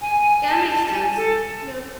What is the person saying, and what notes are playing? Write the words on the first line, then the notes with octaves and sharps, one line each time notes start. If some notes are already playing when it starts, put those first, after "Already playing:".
Yeah, that makes sense, yeah.
G#5
A5
A5
A5
G#5
A4